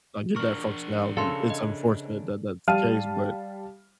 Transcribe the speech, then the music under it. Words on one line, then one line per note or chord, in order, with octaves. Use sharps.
like get that functionality. It's unfortunate that that's the case, but
D4 A#4 C#6 F6
C#3 A4 E5 F5 C6
D#5
G3 F5 A5 F6 D#7